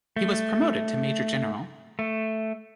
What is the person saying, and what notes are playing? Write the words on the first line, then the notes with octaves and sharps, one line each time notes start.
He was promoted to major-general.
A3
A3